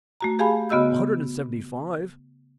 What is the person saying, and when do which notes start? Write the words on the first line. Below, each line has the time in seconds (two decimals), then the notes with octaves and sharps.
"A hundred and seventy-five."
0.20 A3 F#4 A#5
0.39 G4 G#4 F5 G#5 A5 B5
0.69 C#3 B3 F#4 D#5 E6 G6